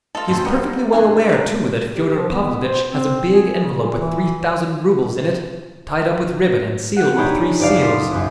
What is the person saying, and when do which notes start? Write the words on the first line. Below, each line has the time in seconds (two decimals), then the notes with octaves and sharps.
He is perfectly well aware, too, that Fyodor Pavlovitch has a big envelope with three thousand roubles in it, tied up with ribbon and sealed with three seals.
0.15 F4 A4 D#5 A5
0.28 A1 F#2 C4 D#4 C5 C6
0.45 G3 B3 A#4 D5 F5
0.93 G2 B2 E3 G3 A3 D4 G#5
1.29 A#3 F#4 C#5
1.91 G4
2.15 F3
2.30 B3
2.64 C5
2.89 C4
3.29 G#4
3.62 C#3
3.83 A#2
3.98 E3
6.96 G4 F#5
7.17 D4 D#4 G4 G#4 C#5 B5
7.60 F#1 D5 F5
7.76 C6 D6 D#6 B6
8.11 B1 F#2